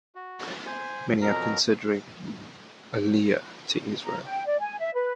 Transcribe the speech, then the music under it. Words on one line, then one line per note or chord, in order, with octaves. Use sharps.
Many are considering aliyah to Israel.
F#4
C5 G#5
F2 B2 F3 F#3 A#4 A#5
A#5
G5
D5
G#5
E5
B4